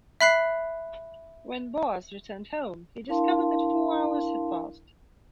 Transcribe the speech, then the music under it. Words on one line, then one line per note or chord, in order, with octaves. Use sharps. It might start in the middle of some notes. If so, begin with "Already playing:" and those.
When Boas returned home, he discovered that four hours had passed.
E5 B5 F#6 C7
D4 E4 A#4 F5 A5 C6